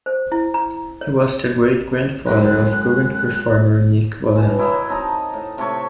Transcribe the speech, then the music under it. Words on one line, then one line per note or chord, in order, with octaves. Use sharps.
He was the great-grandfather of current performer Nik Wallenda.
C5
E4
A#5
C#5
C#2 F#2 A2 F#6
B2 E3
F#3 E4 A#4 D#5
C4 D#4 A5 A#5
A2
C3 A3 C#5 C#6